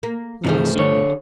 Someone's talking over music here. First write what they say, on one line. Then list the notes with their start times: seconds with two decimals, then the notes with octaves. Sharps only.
Louis started.
0.03 A#3
0.44 G2 C3 E3 F3 A3 G#4
0.76 D3 C#5